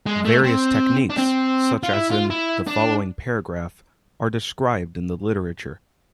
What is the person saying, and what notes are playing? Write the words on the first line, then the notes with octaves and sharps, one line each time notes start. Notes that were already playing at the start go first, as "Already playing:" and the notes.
Various techniques, such as in the following paragraph, are described in the literature.
G#3
A3
C4
D4
C4
F4
E4
F4
E4
D4